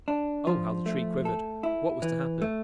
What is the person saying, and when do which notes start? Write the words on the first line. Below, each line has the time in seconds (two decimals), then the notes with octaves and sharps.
Oh! how the Tree quivered! What was to happen?
0.08 D4
0.47 F3
0.86 A3
1.25 A4
1.63 E4
2.02 E3
2.42 A3